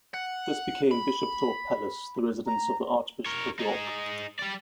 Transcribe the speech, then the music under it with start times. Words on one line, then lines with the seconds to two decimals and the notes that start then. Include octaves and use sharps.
This became Bishopthorpe Palace, the residence of the Archbishop of York.
0.14 F#5
0.91 B5
2.46 A#5
3.26 A#4 C#5
3.59 D#4 G#4
4.39 G3 D5